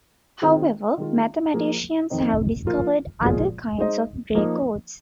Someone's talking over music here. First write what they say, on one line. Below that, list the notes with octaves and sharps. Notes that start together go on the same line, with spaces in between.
However, mathematicians have discovered other kinds of Gray codes.
D#3 C4 F4 G#4
D#3 G#3 F4
F3 A#3 G#4
F2 D#3 C4 D#4
F3 A#3 F4 A#4
A#2 F3 G#3 F4 G#4
G#3 D#4 C5 D#5
F3 A#3 D#4